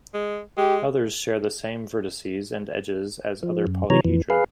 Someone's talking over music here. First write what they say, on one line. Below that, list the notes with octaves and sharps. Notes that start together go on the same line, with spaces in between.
Others share the same vertices and edges as other polyhedron.
G#3
G#3 G4
F3
F#2
C3 E3 F#3 C#5 A#5
F2 E3
G#4 B4 F5